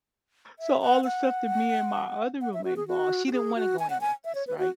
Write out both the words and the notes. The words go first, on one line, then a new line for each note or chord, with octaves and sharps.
So, all the stuff that me and my other roommate bought, she didn't wanna go in with us, right,
E5
F#5
F#5
F#5
E5
F#4
G#4
F#4
F#4
G#4
F#4
G#5
F#5
G#5
E5
C#5
B4
F#4